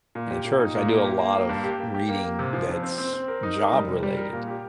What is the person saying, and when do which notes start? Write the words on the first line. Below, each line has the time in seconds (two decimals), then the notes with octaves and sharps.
in a church. I do a lot of reading that's job-related.
0.15 A#2
0.31 G4
0.45 A#2
0.60 D#4
0.75 A#2
0.89 A#3
1.05 G4
1.19 A#3
1.34 A#3
1.49 G2
1.64 G4
1.79 A#3
1.95 G4
2.09 A#3
2.23 A#3
2.39 C3
2.53 F3
2.69 F2
2.83 C4
2.98 C4
3.13 C4
3.28 A#4
3.43 D#4
3.58 A#4
3.73 G3
3.88 C3
4.03 G3
4.17 A#4
4.33 A#2
4.48 G4